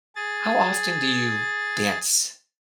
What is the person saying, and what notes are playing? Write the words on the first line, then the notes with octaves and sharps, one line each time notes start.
How often do you dance
G#4 A6